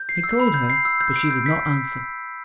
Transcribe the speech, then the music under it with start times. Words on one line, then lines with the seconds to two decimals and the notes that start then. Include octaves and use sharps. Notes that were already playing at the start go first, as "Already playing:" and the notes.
He called her, but she did not answer.
Already playing: G6
0.09 C7
0.24 E6
0.40 B5
0.54 G6
0.70 C7
0.85 E6
1.01 G6
1.16 D7
1.31 G6
1.46 B6